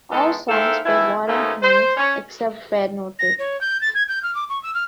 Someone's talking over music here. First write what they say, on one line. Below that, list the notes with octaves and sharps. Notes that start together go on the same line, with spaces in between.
All songs by Warren Haynes, except where noted.
D#3 G#3 B3 D#4 A4
G#2 A#3 E4 A4 F5 G5
B2 D#3 E3 E4
G#2 B2 A3 A#3 C#4 D#4
C5
C#4 C#5
A#6
C#5
G6
A6
G#6
G6
F6
D6
C#6
E6
F6